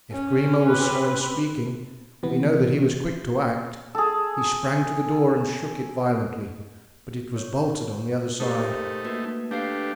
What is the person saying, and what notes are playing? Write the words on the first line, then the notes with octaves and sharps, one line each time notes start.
If Grimaud was slow in speaking, we know that he was quick to act; he sprang to the door and shook it violently, but it was bolted on the other side.
C#4
C4 G4 B4
C3 E3 B3
G#4 A4
C#5
A3 D#4 G4 A#4 C5
A#3 F#4 B4
A3 D4 G4 B4 F5 C7